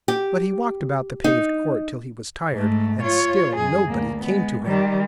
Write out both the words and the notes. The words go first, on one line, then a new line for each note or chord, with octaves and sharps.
But he walked about the paved court till he was tired, and still nobody came to him.
G4
D#4
G#2 A3
F4 C#5
F#2 G#4
D2 A#3
G#3 B3
D#3 G3